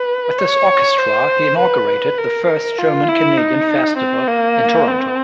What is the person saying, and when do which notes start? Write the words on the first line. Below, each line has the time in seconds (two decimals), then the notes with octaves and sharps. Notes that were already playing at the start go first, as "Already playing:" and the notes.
With this orchestra he inaugurated the first German-Canadian Festival in Toronto.
Already playing: B4
0.39 C#5
0.98 C5
1.58 B4
2.18 A#4
2.48 A#4
2.79 F4
3.09 E4
3.38 D#4
3.98 C4
4.28 A#3
4.88 C4